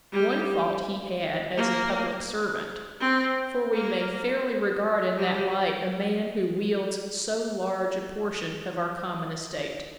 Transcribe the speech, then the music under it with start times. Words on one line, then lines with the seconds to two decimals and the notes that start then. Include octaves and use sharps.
One fault he had as a public servant--for we may fairly regard in that light a man who wields so large a portion of our common estate.
0.12 G3
1.57 A#3
3.00 C4
3.73 A#3
5.17 G3